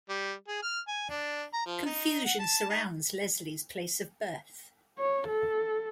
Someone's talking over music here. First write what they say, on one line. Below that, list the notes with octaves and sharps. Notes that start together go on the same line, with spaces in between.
Confusion surrounds Leslie's place of birth.
G3
G#4
F6
G#5
D4
A#5
F3
D#4
F#5
A5
D#4
C#5
A4